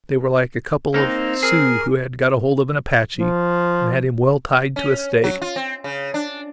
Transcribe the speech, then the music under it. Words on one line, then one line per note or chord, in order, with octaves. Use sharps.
They were like a couple of Sioux who had got hold of an Apache and had him well tied to a stake.
A#3 C4 D#4
G#4 A#4
F3
C#4
F#3
F4
C4
C#3
D4